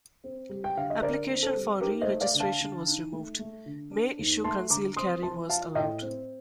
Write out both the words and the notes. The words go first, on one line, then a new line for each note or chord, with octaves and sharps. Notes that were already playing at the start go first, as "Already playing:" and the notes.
Application for re-registration was removed, May issue concealed carry was allowed.
C4
G3
G5
D3 F5
D#5
D3 A#4 D5
C4
A4 C5
G3
D#4 G4 A#4
C5 D#5
A3
D5 F5
D3
F5 A5
D3
D#4
A3
A3
D3
D4
D#2
A3 A5 C6
D3 A#5 D6
C4 C6 D#6
F3 A5 C6
F4 F5 A5
A2 D#5 G5
C4